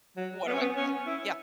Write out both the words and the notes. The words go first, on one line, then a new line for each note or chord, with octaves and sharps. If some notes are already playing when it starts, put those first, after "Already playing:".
What do I say?" yeah.
F#3
B3
C#4
B3
C#4
E4